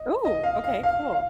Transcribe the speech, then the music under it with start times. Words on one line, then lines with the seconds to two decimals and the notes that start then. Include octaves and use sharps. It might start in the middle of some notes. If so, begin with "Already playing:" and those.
Ooh, okay, cool.
Already playing: D#5
0.25 D#5
0.44 F5
0.64 F5
0.83 F5
1.13 F5